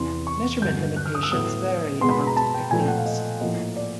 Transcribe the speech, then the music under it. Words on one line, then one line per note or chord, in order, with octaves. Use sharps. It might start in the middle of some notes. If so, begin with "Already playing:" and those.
Measurement limitations vary amongst the techniques.
Already playing: E2 C3 E3 C6
C#6
G2 D3 F#3 G6
F#6
F6
D#6
E6
A2 F#3 B3 D#6
B2 G#3 B3 C6
B5
A#5
A5
G5
A#2 F3 A3 G#5
G5
F#5
F5
D#5
A2 F3 A#3 D#5
D5